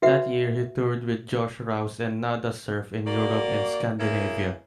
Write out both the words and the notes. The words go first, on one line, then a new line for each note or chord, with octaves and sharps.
That year he toured with Josh Rouse and Nada Surf in Europe and Scandinavia.
F#4 B4 E5 F#5
A#3 F#4 D5
A#3 B3 C#4 E4 G#4 A#4